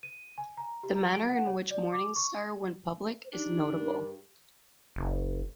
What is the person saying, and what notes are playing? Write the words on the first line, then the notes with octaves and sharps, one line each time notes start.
The manner in which Morningstar went public is notable.
D#7
G#5
A#5
G4
A#5
D7
F#5
C#5
D5
D6
C#6
D4 D#4 G4
G2 A#4
F#1